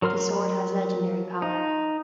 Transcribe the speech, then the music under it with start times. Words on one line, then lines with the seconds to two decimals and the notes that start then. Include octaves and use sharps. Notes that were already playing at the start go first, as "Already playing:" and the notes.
The sword has legendary power.
0.02 F#3 A#4 C6 F6
1.42 D#4